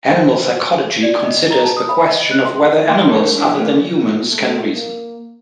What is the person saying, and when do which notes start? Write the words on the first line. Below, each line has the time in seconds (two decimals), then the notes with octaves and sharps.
Animal psychology considers the question of whether animals other than humans can reason.
0.09 C5
1.03 D5
1.24 D#5
1.51 A#5
1.64 A5
1.77 D#6
1.89 B5
2.06 D#5
2.20 D#5
2.31 F#6
2.45 C6
2.89 G#2 A#3 C6
3.08 G#3 A3 D4 A4 A#4
3.35 F2 D3 E3
3.55 E3 A3 A#3
3.73 B1
4.30 A3
4.74 A#3